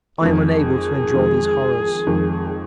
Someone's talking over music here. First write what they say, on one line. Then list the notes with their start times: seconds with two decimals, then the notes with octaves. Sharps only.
I am unable to endure these horrors.
0.21 F2 D#3 G#3 G#4
1.14 F2 D#3 G#3
2.07 F2 D#3 G#3